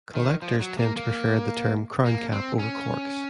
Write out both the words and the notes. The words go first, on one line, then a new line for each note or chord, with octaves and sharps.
Collectors tend to prefer the term crown cap over corks.
D#3
F3
F#3
A#3
A#3
A#3
C4
C#4